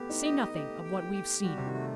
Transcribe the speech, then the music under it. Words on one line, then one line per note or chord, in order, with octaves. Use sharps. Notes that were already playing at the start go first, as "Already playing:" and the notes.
Say nothing of what we've seen.
Already playing: A3 B3 G4
D#4
D#5
D#4
A3 G4
G5
G4
G3 F#4
C3
D#3
A3